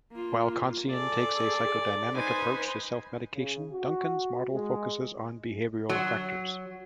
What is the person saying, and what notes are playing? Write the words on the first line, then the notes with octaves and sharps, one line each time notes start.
While Khantzian takes a psychodynamic approach to self-medication, Duncan's model focuses on behavioral factors.
A#3 F4
G#4 A4 D5
D#4 B4 C5 G#5
C#3
F#4
G#3
F#3